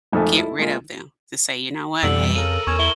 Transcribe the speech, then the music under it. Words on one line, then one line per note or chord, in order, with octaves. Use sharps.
get rid of them, to say, "You know what, hey,
G#1 F2 D#3 A3 A4 G#5
E4 A4
G#3 A#3 F4
F2 B2 D3 E3 G3 E6 F#7
C#3 A4 A#4 D#7
E2 C#4 C#6 G#6
E4 C#6 G7